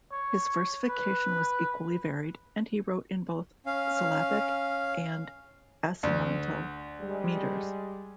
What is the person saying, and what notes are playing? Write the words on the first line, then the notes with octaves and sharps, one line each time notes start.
His versification was equally varied, and he wrote in both syllabic and assonantal metres.
C#5
B4
C#4 F5
D2
G3 G#3